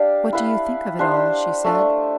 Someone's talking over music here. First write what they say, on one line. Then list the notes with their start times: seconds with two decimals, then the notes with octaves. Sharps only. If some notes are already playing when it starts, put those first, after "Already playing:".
"What do you think of it all?" she said.
Already playing: D4 G4 D5 F5
0.33 E4 B4 F5
0.99 D4 G4 C5 F5
1.64 A3 D4 A4